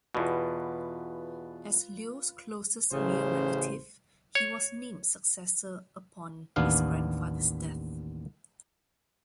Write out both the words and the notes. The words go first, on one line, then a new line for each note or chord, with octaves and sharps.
As Leo's closest male relative, he was named successor upon his grandfather's death.
E2 B2 F4 B4
A1 C#3 C5
C#5
A1 D#2 B3 D4 F5